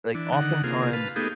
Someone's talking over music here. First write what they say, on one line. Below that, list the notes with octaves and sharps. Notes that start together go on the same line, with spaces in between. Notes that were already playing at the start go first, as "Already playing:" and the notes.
like, oftentimes,
E3 D4
D3 D#3 F#5
C3 A#3 F4 G#4
B4 F5 A5
A3 B3 D#4 G4 G#4